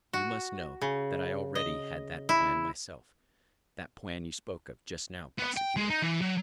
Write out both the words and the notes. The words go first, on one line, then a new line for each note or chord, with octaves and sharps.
You must know that I already had that plan myself, that plan you spoke of, just now, prosecutor!
F#4
C#3
D#5
E4
B3
G5
G#3
D#4
E3
F#3